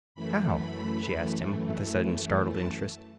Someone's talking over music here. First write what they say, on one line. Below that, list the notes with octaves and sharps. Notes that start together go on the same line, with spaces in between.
"How?" she asked him with a sudden startled interest.
F#2 E3 A3 B5
B5
A5